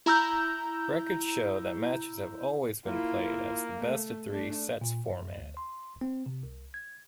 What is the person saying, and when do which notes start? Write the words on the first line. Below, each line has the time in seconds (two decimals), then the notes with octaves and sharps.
Records show that matches have always been played as the best-of-three sets format.
0.06 E4 A#5 E6 G6
2.87 A#3 E4 F4
3.77 A3
4.31 A3 D4
4.81 A#2
5.10 F#2
5.38 D2
5.57 C6
6.01 C4
6.26 C3
6.43 C2
6.74 G#6